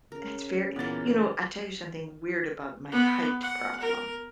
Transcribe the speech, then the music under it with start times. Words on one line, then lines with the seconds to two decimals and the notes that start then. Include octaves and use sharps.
That's very you know, I tell you something weird about my height problem.
0.12 C#3 A#4
0.76 A#2 E3 B3 A#4 D5 A6
2.92 B3
3.41 F#5
3.81 A#4